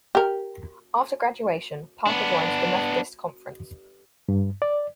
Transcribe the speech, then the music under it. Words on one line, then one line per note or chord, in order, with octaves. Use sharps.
After graduation, Parker joined the Methodist Conference.
G4 A#4
B3 D4
G2
D5